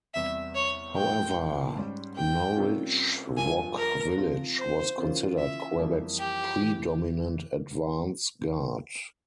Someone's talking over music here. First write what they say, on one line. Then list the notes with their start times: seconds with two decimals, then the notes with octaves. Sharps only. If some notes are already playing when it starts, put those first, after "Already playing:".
However, Norridgewock Village was considered Quebec's predominant advance guard.
0.14 E2 C3 G3 E5
0.55 C#5
0.95 A#2 F3 G#3 G5
1.76 G#2 G3 C#4
2.16 G5
2.56 C3 G3 A#3 C#4 F4
3.37 G2 F3 A#3 F4 G#5
3.78 A#4
4.17 C3 F3 C4 F4
4.58 C5
4.98 C#3 E3 A#3 C#4 F4
5.38 E5
5.78 F2 E3 G3 A#3
6.19 G4
6.61 E3